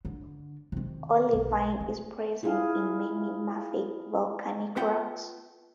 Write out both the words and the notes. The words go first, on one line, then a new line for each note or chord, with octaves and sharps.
Olivine is present in many mafic volcanic rocks.
D3
C3 D#3
B1
A3
E4 F4 G#4 F5
B3 F4 E5 F#5 G5